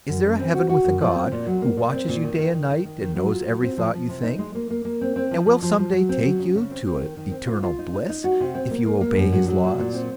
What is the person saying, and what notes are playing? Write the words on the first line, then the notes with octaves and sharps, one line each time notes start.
Is there a heaven with a God, who watches you day and night, and knows every thought you think, and will some day take you to eternal bliss if you obey his laws?
F#2
F#2
C4
F#4
F#4
F#2
F3
C4
A#2
F#3
A#3
A#2
C4
A#2
D#3
D#3
D#3
D#3
D#3
D#3
F#3
F4
F#3
C4
F3
F3
C3
D#4
G#3
A#3
A#3
A#3
C4
C4
F3
F3
F3
F3
F#3
C4
F#3
C#3
C#3
C4
C4
D#3
D#3
C4
F4
F4
D#4
D#4
D#4
F#4
C3
C4
A#3
A#3
A#3
F#2
F#3
F#3
A#2
A#2
C4